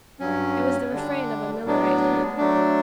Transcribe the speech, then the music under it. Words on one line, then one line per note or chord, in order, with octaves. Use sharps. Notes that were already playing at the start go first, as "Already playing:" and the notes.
It was the refrain of a Millerite hymn.
G2 F#3 C#4
D3 G3 D4
A2 F#3 B3 D4
F#3 A3 D4